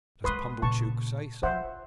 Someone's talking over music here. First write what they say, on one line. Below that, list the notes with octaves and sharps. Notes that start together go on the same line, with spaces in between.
"Does Pumblechook say so?"
D#3 G#3 B4 C6 D#6
A#2 C#3 A5 C#6
F4 C5 E5 F#5